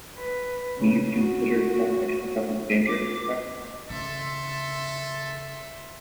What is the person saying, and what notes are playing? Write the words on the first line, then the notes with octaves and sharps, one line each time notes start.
Do you consider him in present danger, sir?
B4
C#3
F#4
D6
C#3 A4 E5 C6